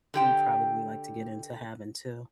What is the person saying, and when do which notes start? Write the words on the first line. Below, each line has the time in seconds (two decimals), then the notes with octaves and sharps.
we'd probably like to get into having too.
0.14 D3 G4 G5